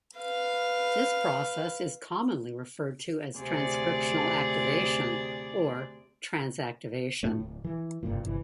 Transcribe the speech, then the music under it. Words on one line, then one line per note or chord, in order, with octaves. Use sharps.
This process is commonly referred to as transcriptional activation, or transactivation.
B4 F5
D2 C3 G#4 D5
A2 A3
D1
E3
F#1 C2 G2 A#2
G1 C2 E3